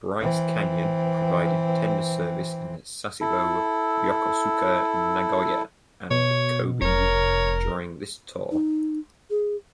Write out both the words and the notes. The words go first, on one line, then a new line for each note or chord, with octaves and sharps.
"Bryce Canyon" provided tender service in Sasebo, Yokosuka, Nagoya, and Kobe during this tour.
E3 C4
E4 A4
B2 C#5
F1 A#4 C#5
D#4
G#4